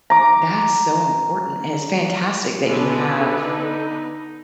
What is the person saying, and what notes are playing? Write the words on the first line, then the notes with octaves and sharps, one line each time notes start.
that's so important, and it's fantastic that you have
A#5 D6
B2 D3 G#3 B3 B4
D#4